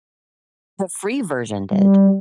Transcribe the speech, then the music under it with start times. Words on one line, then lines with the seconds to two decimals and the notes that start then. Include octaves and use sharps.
The free version did,
1.71 G3